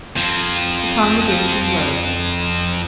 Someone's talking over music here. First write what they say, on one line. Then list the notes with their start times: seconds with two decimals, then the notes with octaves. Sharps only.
The congregation rose.
0.16 F2 F3